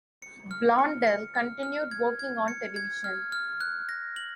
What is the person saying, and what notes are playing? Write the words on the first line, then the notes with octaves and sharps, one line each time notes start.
Blondell continued working on television.
C#7
F6
C#7
C#7
F6
F6
G#6
G#6
C#7
G#6
F6
F6
F#6
A#6
F#7